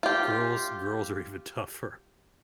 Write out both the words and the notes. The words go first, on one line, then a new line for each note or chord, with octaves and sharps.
girls girls are even tougher.
F4 G4